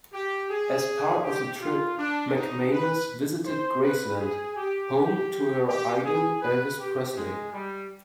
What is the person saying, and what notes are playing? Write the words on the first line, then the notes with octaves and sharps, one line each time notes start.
As part of the trip, McManus visited Graceland, home to her idol Elvis Presley.
G4
G#4
G4
F4
D4
D#4
B4
C5
B4
G#4
G4
G4
G4
G#4
B4
G4
G#3
G3